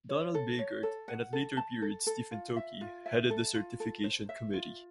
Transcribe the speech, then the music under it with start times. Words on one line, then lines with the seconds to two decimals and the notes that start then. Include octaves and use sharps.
Donald Bagert, and at later period Stephen Tockey headed the certification committee.
0.09 C#5
0.35 A4
0.59 C#5
0.83 A4
1.08 F#5
1.33 A4
1.57 A5
1.82 A4
2.07 A4
2.31 F4
2.56 E5
2.81 F4
3.06 E5
3.30 A4
3.54 F4
3.80 A4
4.04 C5
4.29 E5
4.53 F4